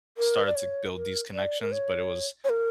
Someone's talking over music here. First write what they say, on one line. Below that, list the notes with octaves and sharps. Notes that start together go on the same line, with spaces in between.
started to build these connections, but it was
A#4
D5
C#5
A#4
D5
A#4
C#5
C#5
A#4